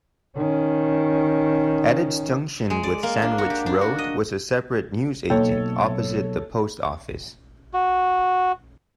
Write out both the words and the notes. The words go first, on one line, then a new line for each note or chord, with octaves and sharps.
At its junction with Sandwich Road was a separate newsagent, opposite the post office.
D#3 C#4
G#3
D5
A#3
D4
F#4
G4
D4
F#4
D#5
B1 A#3 A4 C#5
F#4